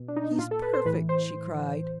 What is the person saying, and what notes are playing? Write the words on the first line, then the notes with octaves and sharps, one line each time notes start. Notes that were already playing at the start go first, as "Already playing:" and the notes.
'He's perfect!' she cried.
Already playing: B2
D4
D#4
A#2 F4
A4
B4
C5
A2 E3 B4
C5